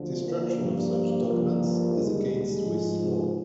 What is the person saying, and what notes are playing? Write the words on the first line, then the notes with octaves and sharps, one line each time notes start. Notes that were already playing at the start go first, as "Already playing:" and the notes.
Destruction of such documents is against Swiss laws.
Already playing: D2 D3 F3
A#3
G2 F3
G2 F3
D#2 D3 G3 G#3
G#3
G#2 F3